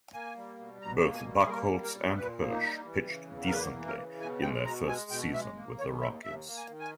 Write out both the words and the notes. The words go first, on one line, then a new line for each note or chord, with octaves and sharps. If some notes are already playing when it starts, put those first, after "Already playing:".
Both Buchholz and Hirsh pitched decently in their first season with the Rockies.
A#3 G#5
G3
B2
B2 A#5
A#3
G#5
G3
G#4
A#3 A#4
G3
A#4
A#2
A#2 B4
A#3
D#4
G3
E3
C#3
E2
A#4
A#3 B4
E3
A#4
C#3
B2 G#5
G#3 G5
B2 A#5
G#3 G#5
B2 G5
G#3 E5
A#3
D#3 C#5
D#2 E5
D#2 E5
A#3
G#5
D#3
G#5